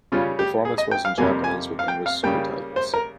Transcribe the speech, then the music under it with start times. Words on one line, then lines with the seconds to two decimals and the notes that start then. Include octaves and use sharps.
The performance was in Japanese with English supertitles.
0.12 C#3 G3 C#4 F4
0.39 G4
0.65 G#4
0.78 D#5
0.91 G5
1.05 F5
1.18 F2 C3 G3 A#3 G#5
1.44 G#5
1.79 F5
1.88 G5
2.06 F5
2.23 C#3 G3 A#3 G5
2.76 C5
2.94 A#4